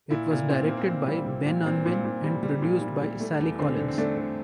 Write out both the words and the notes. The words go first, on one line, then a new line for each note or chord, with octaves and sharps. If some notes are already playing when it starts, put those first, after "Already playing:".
It was directed by Ben Unwin and produced by Sally Collins.
A#2 E4
A#2
A#2 C4
A#2 A#3
C4
A#2
G3
G3
A#2
A#2 C4
A#2
A#2
G3
G3
A#2
G3
G3
A3
E2
D3 C4
D3
C4
A3 D4
D3